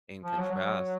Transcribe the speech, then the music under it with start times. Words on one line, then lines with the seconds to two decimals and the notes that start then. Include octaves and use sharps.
and contrast,
0.23 F3
0.38 F#3
0.51 F#3